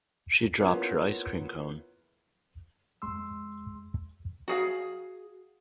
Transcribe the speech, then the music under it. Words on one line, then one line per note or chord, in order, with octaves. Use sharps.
She dropped her ice cream cone.
A#3 B3 C#4 E4 F4 G#4
F2 G#3 C6 E6
F#4 G#4 F5